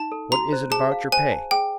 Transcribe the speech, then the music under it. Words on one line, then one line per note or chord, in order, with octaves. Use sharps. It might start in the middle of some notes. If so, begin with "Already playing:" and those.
"What is it about your pay?"
Already playing: D#4 A5
A4
F#4 A#5
C5
G#4 A5
F5
C5 G#5
A5
G#4 G5